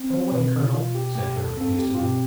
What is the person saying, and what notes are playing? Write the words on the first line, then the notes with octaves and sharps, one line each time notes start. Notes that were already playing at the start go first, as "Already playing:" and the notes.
"Come away, colonel!" said Harry hastily.
Already playing: C4
C5
B2 B4
E4
B2 F4
G4
A3 G4
A4
C4 A4
G4
F4
B2 G4